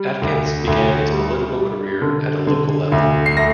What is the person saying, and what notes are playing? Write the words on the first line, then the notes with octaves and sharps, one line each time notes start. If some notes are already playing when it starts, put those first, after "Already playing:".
Atkins began his political career at a local level.
Already playing: G3
D2
D2
G3
G3
D3
D3
D2
C7
A3 A#6